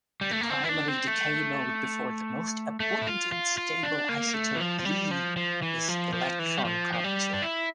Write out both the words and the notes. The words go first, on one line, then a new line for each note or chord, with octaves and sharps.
The primary decay mode before the most abundant stable isotope V is electron capture.
G3
A3
A#3
C4
E4
D4
C4
A3
A3
E4
F4
F4
F4
D4
A#3
A3
E3
F3
F3
G3
F3
F3
E3
F3
F3
E3
G3
F3
F3
G3
D4
E4